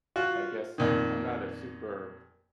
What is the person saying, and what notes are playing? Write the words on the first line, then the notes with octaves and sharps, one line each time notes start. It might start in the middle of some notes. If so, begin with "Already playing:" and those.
I guess, I'm not a super,
F4 F#4
F2 A#2 D#3